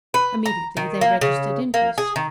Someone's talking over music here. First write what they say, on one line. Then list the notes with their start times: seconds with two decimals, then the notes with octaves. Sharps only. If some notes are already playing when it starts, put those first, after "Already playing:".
Immediately, they registered interest.
0.14 B4
0.46 A#5
0.77 D#3
1.01 A#3
1.21 C#3
1.74 A#3
1.98 G#4
2.16 D#3